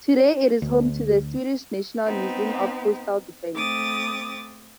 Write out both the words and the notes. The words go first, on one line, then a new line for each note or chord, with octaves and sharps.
Today, it is home to the Swedish National Museum of Coastal Defence.
D2
B3 C4 D#4
A3 C4 D6 D#6 A6